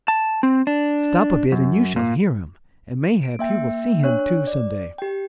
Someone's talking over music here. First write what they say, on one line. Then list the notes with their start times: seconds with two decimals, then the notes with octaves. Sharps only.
"Stop a bit and you shall hear him, and mayhap you will see him too some day."
0.08 A5
0.43 C4
0.67 D4
1.52 F#2
1.96 A#2
3.23 D7
3.39 A#3 E5 G5
4.04 D4 C#5 F#6
4.47 D5
4.98 G4 G5